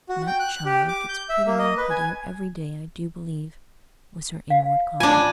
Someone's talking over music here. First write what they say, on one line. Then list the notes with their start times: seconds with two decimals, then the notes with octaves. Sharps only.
"That child gets prettier and prettier every day, I do believe," was her inward comment.
0.09 F#4
0.27 G5
0.39 F#6
0.66 G4
0.88 D6
1.09 G6
1.29 E5
1.47 A#3
1.59 D#5
1.78 B4
1.90 G#5
4.50 F5
5.00 D4 F4 G#5